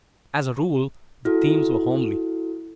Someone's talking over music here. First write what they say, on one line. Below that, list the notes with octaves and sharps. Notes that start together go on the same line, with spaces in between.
As a rule the themes were homely.
E4 F#4 A4